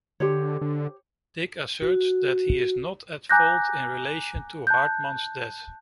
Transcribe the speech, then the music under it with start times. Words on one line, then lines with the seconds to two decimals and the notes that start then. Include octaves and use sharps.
Dick asserts that he is not at fault in relation to Hartman's death.
0.20 D3 G4 C5 C#5
0.61 D3
1.82 F#4
3.30 G#5 A#5 D6 F#6 G6 A#6
4.67 A5 F#6 G6